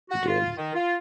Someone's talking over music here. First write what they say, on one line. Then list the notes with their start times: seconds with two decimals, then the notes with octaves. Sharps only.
It did,
0.10 F#4
0.27 F4
0.56 D#3
0.74 F4